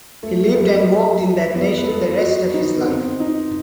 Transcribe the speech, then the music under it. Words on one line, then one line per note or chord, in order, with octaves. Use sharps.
He lived and worked in that nation the rest of his life.
A3
G3
B3
B4
A4
F#4
D#4
B3
C4
D#4